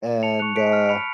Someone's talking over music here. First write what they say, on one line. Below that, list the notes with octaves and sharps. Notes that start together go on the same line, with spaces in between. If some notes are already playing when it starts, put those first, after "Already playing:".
and, uh,
A5 C#7 F7
C#6 F#6 C#7 F7
A5 B6 D7
F6
D7
B5 C#7 F7